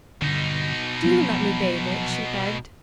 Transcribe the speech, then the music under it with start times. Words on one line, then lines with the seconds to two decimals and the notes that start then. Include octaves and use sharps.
"Do let me bathe it," she begged.
0.22 G2 B2 D3 D#4
1.04 F3 F#3 B3